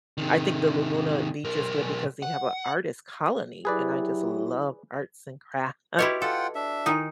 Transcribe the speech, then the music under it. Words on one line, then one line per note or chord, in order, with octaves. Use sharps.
I think the Laguna Beach is good because they have a artist colony, and I just love arts and crafts.
C3 D#3
B1 A#4
F#5
F#3 E4 G4 G#4 B4 D5
E4 F#4 G4 B4 C#5 D#5
F4 A4 F#5 G5
D4 E5
D#3 D#4 E4 G#5